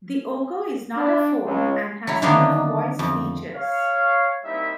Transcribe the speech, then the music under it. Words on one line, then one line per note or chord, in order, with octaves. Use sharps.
The Ogo is not a phone and has no voice features.
D4
C#2
F#3 E4
D3 D#3 F#3 A#3 B3 D4
F2
C#5 F5
G3 A#3 C4 D#4 E4 E5